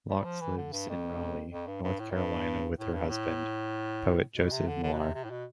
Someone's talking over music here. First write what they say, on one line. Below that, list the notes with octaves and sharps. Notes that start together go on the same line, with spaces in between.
Laux lives in Raleigh, North Carolina with her husband, poet Joseph Millar.
G3
F3
E3
D3
G2
F2
F2
G2
G2
A2
F2
G2
A2
G2
A2
B2
C3
D3
D3
B2
C3
C3
A2
B2